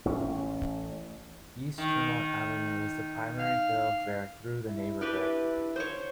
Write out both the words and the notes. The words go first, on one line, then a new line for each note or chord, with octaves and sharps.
East Tremont Avenue is the primary thoroughfare through the neighborhood.
A1 C#4
D#3
F5
E4
D4 E4 G4 B4
C5 C#5